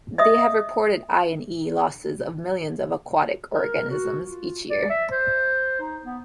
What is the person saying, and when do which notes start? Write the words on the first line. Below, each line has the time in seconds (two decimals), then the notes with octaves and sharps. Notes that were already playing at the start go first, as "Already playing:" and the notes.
They have reported I and E losses of millions of aquatic organisms each year.
0.18 D#5 E5 D#6
3.53 A#4
3.90 F#4
4.24 F4
4.70 D5
4.90 E5
5.11 C5
5.80 D#4
6.04 B3